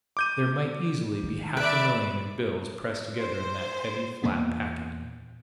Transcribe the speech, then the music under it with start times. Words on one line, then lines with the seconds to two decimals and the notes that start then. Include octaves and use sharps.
There might easily be half a million in bills pressed together in that heavy, flat packet.
0.17 D6 G6 D#7
1.23 D#3
1.57 B4 D5 E5 D7
3.19 C5
4.23 E2 A#2 A#3 B3